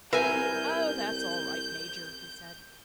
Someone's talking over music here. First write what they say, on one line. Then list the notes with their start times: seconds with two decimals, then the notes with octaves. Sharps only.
"Oh, that's all right, Major," he said.
0.13 C2 A#4 B4 E5 G#5 G6